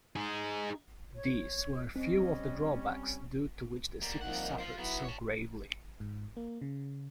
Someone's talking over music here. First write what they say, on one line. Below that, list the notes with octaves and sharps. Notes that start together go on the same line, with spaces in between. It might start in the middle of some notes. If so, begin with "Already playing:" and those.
These were few of the drawbacks due to which the city suffered so gravely.
D#4 G#4
C#5
G3 C4 C#4 D#5
G3 A#3
C2 F3 A#3 D#4 F#5
F4 C5
F#3 B3 E4
C#5 A5
G#2
A#3
C#3